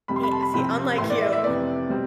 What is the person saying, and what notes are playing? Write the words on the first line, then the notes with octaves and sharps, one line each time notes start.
ha see, unlike you,
F2 C3 G3 B5
C6
B5
A5
B5
C2 C3 F3 C4 B5
A2 E3 A3 C6
D5
E5
E5
F2 C3 E3 B3 D5
B2 G3 C4